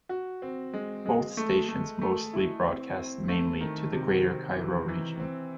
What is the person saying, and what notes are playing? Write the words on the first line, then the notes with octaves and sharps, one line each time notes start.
Both stations mostly broadcast mainly to the Greater Cairo region.
F#4
C4
G#3
G#3
A3
A3
A3
E4
C4
C4
A3
D#3
C3
C4
E3
E3
C4